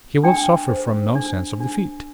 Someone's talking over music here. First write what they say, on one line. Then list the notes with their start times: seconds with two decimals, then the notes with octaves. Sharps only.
He will suffer from no sense of defeat.
0.24 D4 G5
0.69 C5
1.15 D4
1.60 D4